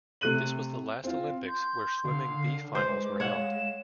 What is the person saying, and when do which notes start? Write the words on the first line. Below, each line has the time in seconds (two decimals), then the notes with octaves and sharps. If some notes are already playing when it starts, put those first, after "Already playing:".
This was the last Olympics where swimming B-finals were held.
0.21 C3 A3 F#6 D#7 F#7
1.04 C4 F4
1.48 C6 G6
2.05 D3 F5
2.75 G#3 B4 C5 D6
3.20 C#5 F5 F#5 E7